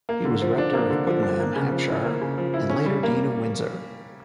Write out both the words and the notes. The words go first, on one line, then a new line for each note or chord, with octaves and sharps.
He was Rector of Puttenham, Hampshire, and later Dean of Windsor.
A#3
D3
F3
D4
A#3
D3
F3
D4
A#3
C#3
F3
E4
A#3
C#3
F3
E4
C#4
G3
A#3